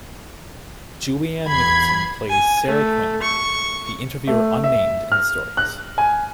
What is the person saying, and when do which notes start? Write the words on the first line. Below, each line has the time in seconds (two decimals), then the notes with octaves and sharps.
Julianne Nicholson plays Sara Quinn, the interviewer unnamed in the stories.
1.47 E2 B5 G#6 C7
2.29 G#5
2.67 A3
3.21 C#6
4.27 A3
4.64 E5
5.12 F6
5.57 F#6
5.98 G#5